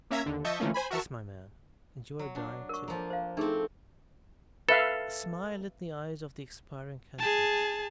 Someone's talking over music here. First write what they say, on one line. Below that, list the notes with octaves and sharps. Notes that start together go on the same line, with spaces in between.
"Yes, my man, and you are dying too." A smile lit the eyes of the expiring Kentuck.
A#3 C#4 E5 A#5 G#6 B6
D#2 D3
F3 D#5 E5 A5 C#6 G6
D3 E3 F3 A3 A#3 C#4
C5 G#5 B5
F#4 A#4 E5 A5 C#6
F#3
D4
A#4 C#6
F3 A#3
C5 F5
A3 C4 D4 D#4 G#4
A4 B4 E5 F5
G#4 A5